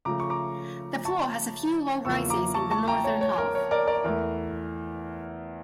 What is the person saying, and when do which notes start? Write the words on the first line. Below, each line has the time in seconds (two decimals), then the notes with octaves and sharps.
The floor has a few low rises in the northern half.
0.05 C#3 F3 A3 A#5 D6
0.20 C#6
0.30 A#5 D6
1.05 A5 C#6
2.05 E2 C#3 F3 A#3 C#6 E6
2.30 A#5 D6
2.54 A5 C#6
2.71 A5 C#6
2.88 G5 A#5
3.04 C#5
3.21 C#5
3.38 A#4
3.55 C#5
3.71 A#4 D5
3.87 A#4 D5
4.04 E2 E3 A3 A#4